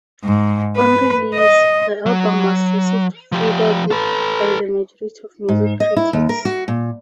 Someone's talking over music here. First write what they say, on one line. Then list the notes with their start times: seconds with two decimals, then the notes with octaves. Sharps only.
On release, the album was received favourably by the majority of music critics.
0.24 G#2
0.77 B4
1.35 D#5
2.06 F#3
3.32 F3 G4
3.91 A4 B4
5.49 G#2
5.80 D#5
5.97 E4
6.13 D#2
6.29 A#4
6.45 F#4
6.68 A#2